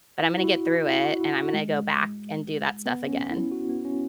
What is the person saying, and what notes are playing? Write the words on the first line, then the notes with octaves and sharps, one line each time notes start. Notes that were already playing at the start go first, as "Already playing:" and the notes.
but I'm gonna get through it, and I'm gonna go back and do that stuff again."
E4
F#4
E4
E4
E4
F#4
E4
F#4
G#3
B3
C#4
E4
F#4
B3
C#4